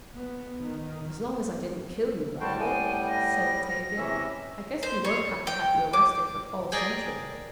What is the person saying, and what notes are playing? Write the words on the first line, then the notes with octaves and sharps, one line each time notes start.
"As long as I didn't kill you, Raffle," said Tavia, "I guess we won't have to have you arrested for false entering."
B3
D#3
A2 G3 F#4 C5 G5 A5
B3 G5 G#5
A#6
C3 E3 C#4 E5
C5
C#5
G5
D6
G#4 A#4 D5 D#5 G5 G#5